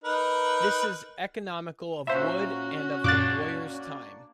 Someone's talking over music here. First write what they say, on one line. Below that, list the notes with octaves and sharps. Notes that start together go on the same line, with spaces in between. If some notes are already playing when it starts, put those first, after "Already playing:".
This is economical of wood and of the bowyer's time.
D#4 A#4 B4
A#2 C#4 F#4 C5 E5
F#2 A#2 A#3 D4 D6 F#6 A6